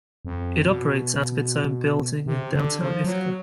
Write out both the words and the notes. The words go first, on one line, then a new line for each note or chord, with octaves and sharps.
It operates out of its own building in downtown Ithaca.
F2
B2
C3
D3
F3
F#3